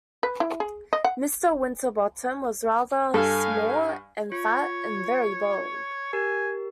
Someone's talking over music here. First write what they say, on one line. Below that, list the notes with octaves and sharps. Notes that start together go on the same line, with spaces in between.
Mr. Winterbottom was rather small and fat, and very bald.
B4
E4
G#4
D#5
F#5
G2 A4 F5 G#5
F4 C#5
G4 A#4 G#5